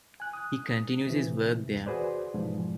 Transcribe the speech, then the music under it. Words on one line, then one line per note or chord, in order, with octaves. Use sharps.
He continues his work there.
G#5 F#6
D#6
C3 E3
E2
F#4 G#4 B4 C5 D5
F2 G#2 B2 E3 F3